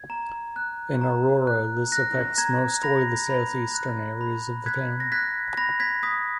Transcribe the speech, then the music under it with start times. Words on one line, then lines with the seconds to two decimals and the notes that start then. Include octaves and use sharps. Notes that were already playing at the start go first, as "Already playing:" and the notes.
In Aurora, this affects mostly the south-eastern areas of the town.
Already playing: G#6
0.10 A#5
0.56 F#6
1.01 A#5
1.47 F#6
1.92 F#6 A#6
2.38 A#5 G#6
2.83 B5 A#6
3.30 B5
3.74 F#6
4.21 B5
4.66 F#6 G#6 B6
5.00 A#6
5.12 F#6 G#6 B6
5.57 B5 A#6
5.80 G#6 B6
6.03 D#6 G#6 B6